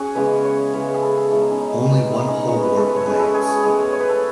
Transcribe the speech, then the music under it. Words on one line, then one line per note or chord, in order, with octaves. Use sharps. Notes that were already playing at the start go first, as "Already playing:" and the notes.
Only one whole work remains.
Already playing: C#4 F#4 G#4
C#3 E3 G#3 B3 B4
C#5
C#3 E3 G#3 C#4 B4
G#4
A4
G#4
B2 G#3 B3 E4
D#4
C#4
D#4
E3 G#3 B3
E4
D#4
C#4
D#4
E3 G#3 B3 F#4
B4
A4
B4
C#5
B2 G#3 C#4 B4
A4
G#4
F#4
A2 E3 G#3 B3 G#4
C#5
B4
A4